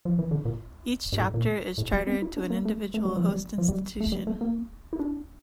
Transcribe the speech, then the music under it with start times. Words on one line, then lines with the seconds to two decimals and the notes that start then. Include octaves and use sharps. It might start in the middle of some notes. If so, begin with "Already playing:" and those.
Each chapter is chartered to an individual host institution.
0.05 F3
0.19 E3
0.31 D3
0.45 A#2
1.12 G2
1.19 A2
1.34 A#2
1.78 A2
1.93 G3
2.07 C4
2.22 E4
2.37 D4
2.50 A#3
2.65 A3
2.94 A3
3.05 G3
3.16 F3
3.29 G3
3.58 F3
3.68 G3
4.00 A3
4.12 G3
4.27 A3
4.41 A#3
4.93 E4
4.99 D4